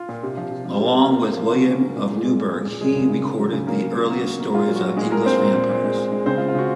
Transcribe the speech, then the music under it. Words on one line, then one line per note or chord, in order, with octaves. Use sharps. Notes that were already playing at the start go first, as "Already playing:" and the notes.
Along with William of Newburgh, he recorded the earliest stories of English vampires.
Already playing: F4
A#2
C3
F3
C3
F3
C3
C3
A#3
A#3
F3
C#3 F#4
A#3
A#3
A#2
G#3
G#3
G#3
A#2
A#2
F#3 G#3 G#4
C#3
C#3
C#3
F#3
C#3
F#3 A#3 A#4
F#3
F#3
A#3 F#4
A#3
A#3
A#2 F4
F#3
F#4
F#3
A#2 G#3 G#4
A#3 A#4
A#2 C4 C5
A#2
A#2
A#2
G#3
A#2
G#3
C#3 C4 C5
G#3 F4
F4
C#3 F#4